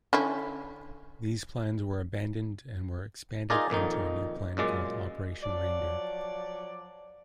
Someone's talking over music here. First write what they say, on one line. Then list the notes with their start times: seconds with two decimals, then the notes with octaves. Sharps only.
These plans were abandoned and were expanded into a new plan called Operation Reindeer.
0.13 D3 C#4 E4
3.50 D#4 F4 G#4 A#4 D5
3.70 F2 A#2 D#3 D#4
4.57 F#2 A#2 G#3 D5
5.43 F3 F#3 D5